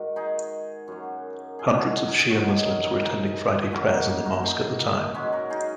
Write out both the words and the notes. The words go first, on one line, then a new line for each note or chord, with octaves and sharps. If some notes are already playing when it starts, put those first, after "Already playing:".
Hundreds of Shia Muslims were attending Friday prayers in the mosque at the time.
Already playing: G#2 D#3 F#4 A#4
D#4 G#4
F#2 F#3
G#4
F#4
D#4 G#4
A#4
G#4
G#2 D#3 F#3 C#4 F#4
D#4 G#4
D#4 G#4
D#4 G#4
D#4 G#4
A#2 F#3 C#4 F#4
A#3 D#4
D#4 G#4
F#4 A#4
D#4 G#4
A#3
G#2 F#3 G#3 C#4
F#4 A#4
D#4 G#4